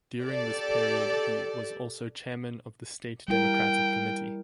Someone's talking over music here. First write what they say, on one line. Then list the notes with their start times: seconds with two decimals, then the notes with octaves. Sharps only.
During this period he was also chairman of the state Democratic committee.
0.21 G4 A4 D5
3.28 G3 E4 A#4 G5